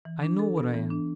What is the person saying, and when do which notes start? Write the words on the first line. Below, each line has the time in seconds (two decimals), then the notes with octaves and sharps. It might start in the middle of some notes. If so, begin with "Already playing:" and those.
I know what I am.
0.05 E3
0.23 D4
0.39 A4
0.57 B3
0.74 E3
0.91 D4